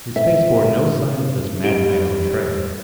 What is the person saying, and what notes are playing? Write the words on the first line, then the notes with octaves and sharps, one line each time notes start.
His face bore no signs of his mad night on the trail.
E5
G3 D7 G7